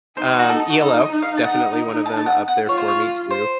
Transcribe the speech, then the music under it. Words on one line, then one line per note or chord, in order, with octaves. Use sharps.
Um, ELO, definitely one of them up there for me too.
D#4 C5
F#4
A4
F#4
D#4 A4
D#5
D#4
F5
A5
F#5
A5
A5
F#5
F#5
F4 C#5
C5
C#5
C5